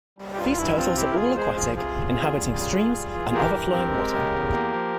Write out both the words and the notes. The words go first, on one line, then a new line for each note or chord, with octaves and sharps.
These turtles are all aquatic, inhabiting streams and other flowing water.
G3
G4
G2 F4
G2 E4
C4 F4
C3 E4 G4
A#4
E2 F4 G#4
G#3 G#4 C5
F3 F4 G#4
C3 F4 G#4
E2
E2
G3
C#3
F2
G3
E3
E3 G4 A#4
G2
C4
G#3
C#3
E2
A#3
F3